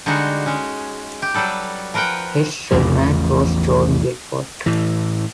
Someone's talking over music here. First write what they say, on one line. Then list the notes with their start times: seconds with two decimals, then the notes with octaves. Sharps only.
His cellmate was Jordan Belfort.
0.06 D3 G3 G#3 D#4 F#4
0.46 G#3 C#4
1.22 G4
1.34 F#3 G3 A4 B4
1.94 F3 A#4 B4 F#5 G5
2.71 A1 E2 C#3 F3
4.66 A2 E3